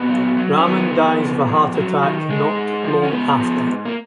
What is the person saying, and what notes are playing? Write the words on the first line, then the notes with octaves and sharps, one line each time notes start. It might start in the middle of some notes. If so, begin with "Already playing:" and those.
Ramon dies of a heart attack not long after.
Already playing: A#2 B3
F#3
F#3
C#4
D#3 B3
F2
F2
F2
F#3
D#3
G#2 G#3
G#2
F3
C#4
G#2 B3
F3
G#2
A#3